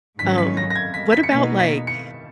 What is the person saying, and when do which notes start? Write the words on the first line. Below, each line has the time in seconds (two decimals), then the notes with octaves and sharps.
Um, what about like
0.19 G#2 D#3 F#3 C#4 B6
0.38 B6
0.57 A#6
0.70 A#6
0.75 G#6
0.94 B6
1.12 B6
1.23 C#7
1.31 B2 A#3 D#4 B6
1.59 B6
1.87 C#7